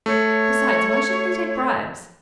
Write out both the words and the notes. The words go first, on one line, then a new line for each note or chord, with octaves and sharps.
Besides, why shouldn't he take bribes?
A3 C#5